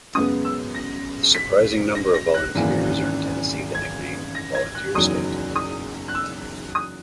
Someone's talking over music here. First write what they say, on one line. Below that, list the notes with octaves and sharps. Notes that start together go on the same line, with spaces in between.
The surprising number of volunteers earned Tennessee the nickname, Volunteer State.
F#2 C#3 G#3 B3 D#6
E6
A#6
B6
A#6
A#6
F#6
G#1 F#2 C#3 E3 A#3
G#6
A#6
G#6
F#6
F#1 E2 D#3 F#3 D#6
D#6
F#6
E6
D#6